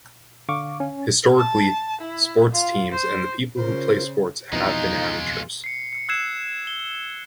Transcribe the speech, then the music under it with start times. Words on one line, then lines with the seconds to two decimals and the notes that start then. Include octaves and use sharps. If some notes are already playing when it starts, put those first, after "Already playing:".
Historically, sports teams and the people who play sports have been amateurs.
0.49 D3 F5 C#6 D6
0.80 C#4
1.38 A5
2.01 E4
2.52 F4
2.92 C5
3.58 C#3 F4 A#4 C5
4.53 F2 B2 E3 G#3 D#4 F4
5.64 C7 C#7
5.93 C#7
6.09 E6 F#6 G#6 C7 E7
6.67 G7